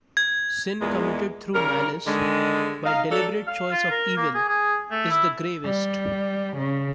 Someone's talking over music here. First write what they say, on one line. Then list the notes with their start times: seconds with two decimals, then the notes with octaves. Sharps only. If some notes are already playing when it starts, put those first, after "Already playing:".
Sin committed through malice, by deliberate choice of evil, is the gravest.
0.17 G#6
0.81 E2 A#2 G#3
1.54 C#3 G3 A#4
2.07 D3 D#3 G#3
2.86 D#4 F5
3.11 F#3 D4 A4
3.47 F5
3.71 F4
3.90 A#4
4.17 A#3
4.35 G#4
4.48 G#4
4.91 A3
5.10 E4
5.65 G3
6.57 C#3